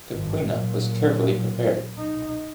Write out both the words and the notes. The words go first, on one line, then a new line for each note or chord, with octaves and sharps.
The Quinoa was carefully prepared.
G#1 G2
A#2 F#3
D#4